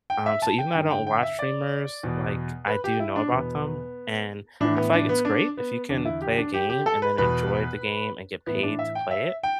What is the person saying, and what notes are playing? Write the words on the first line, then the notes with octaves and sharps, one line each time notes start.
Um, so even though I don't watch streamers, like, I do know about them, and I feel like it's great if you can play a game and then enjoy the game and get paid to play it,
G5
E5
A5
G5
G2 D3 G5
G5
G5
E5
D5
E2 B2
B4
G4
E4
D4
E2 B2 B3
A2 E3 D4
B3
D4
B3
D4
B3
E2 D3 D4
E4
G4
D4
G4
G4
A4
B4
E2 B2 B4
A2 E3 B3
D4
E5
G5
E5
G5